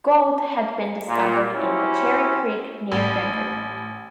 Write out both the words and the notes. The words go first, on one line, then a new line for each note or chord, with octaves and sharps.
Gold, had been discovered in the Cherry Creek, near Denver.
A#2
F#3 C4 C#4 E4 G4
A1